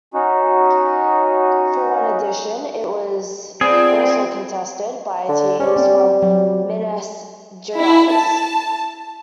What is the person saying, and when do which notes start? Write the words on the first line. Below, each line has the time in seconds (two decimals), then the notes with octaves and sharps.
For one edition, it was also contested by teams from Minas Gerais.
0.14 C#4 D#4 F#4
3.61 F3 B3 C4 G#4 D5
5.29 D3
5.60 C#4 G4 C5 D5
5.76 G3 A#3 C4 C#4
6.22 F#3
7.78 E4
8.14 A5